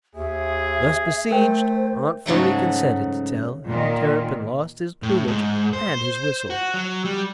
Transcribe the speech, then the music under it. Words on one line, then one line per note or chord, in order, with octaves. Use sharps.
Thus besieged, Aunt 'Phrony consented to tell how the Terrapin lost his plumage and his whistle.
D#2 G#4 E5
A3 A#4 C5 G5
G#2 C#3 F#3 A3
A#2 D#3
A2
G#2
C5
F#4
F#3
G3